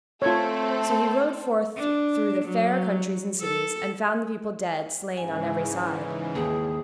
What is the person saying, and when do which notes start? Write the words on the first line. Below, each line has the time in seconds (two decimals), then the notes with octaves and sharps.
So he rode forth through the fair countries and cities, and found the people dead, slain on every side.
0.22 A3 C4 F4 A4 C#5
1.77 D4
2.45 F#3
3.41 A4
5.17 G#2 C#3 E3 G#5
6.35 D#2 G#4